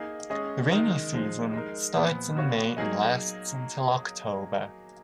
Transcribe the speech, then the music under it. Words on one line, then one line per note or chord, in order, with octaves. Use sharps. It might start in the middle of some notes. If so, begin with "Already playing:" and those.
The rainy season starts in May and lasts until October.
Already playing: A#3 D#4 G#4 D#5
G#3 C#4 G#4 D#5
D#3 G#3 D#4 A#4 D#5
F3 G#3 D#4
G#3 D#4 A#4
A#2 F3 B3
B3 F#4 C#5 F5
F#3 A#3 D#4 G#4 D#5